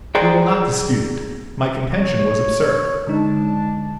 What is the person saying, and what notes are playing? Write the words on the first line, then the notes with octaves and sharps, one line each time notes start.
We will not dispute it; my contention was absurd.
G#4 C5 D5 G5 A#5
C#5
D3 G#3 D4 D#4 A5